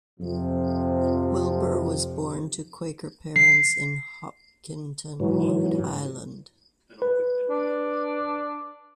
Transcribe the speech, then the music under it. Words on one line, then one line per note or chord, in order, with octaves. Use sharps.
Wilbur was born to Quaker parents in Hopkinton, Rhode Island.
F2 C3 F3
C7
G#2 E3 F#3
B4
D4